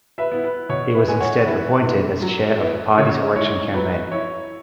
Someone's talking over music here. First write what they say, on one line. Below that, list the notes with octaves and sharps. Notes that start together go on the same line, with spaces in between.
He was instead appointed as chair of the party's election campaign.
B4 E5
B3 E4
B4
B2 C#5
B4 E5
G#3 B3 E4 G#5
C#5 F#5
E3 B4 E5
B3 E4
F#3
B3 E4
C#3 C#5
G#3 E4 C#5
F#3 B4
E4 C#5